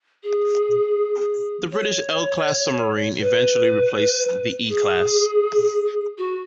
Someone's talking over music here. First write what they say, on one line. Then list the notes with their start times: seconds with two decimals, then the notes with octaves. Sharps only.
The British L class submarine eventually replaced the E class.
0.23 G#4
1.72 C#5
3.21 B4
4.69 G#4
6.18 F#4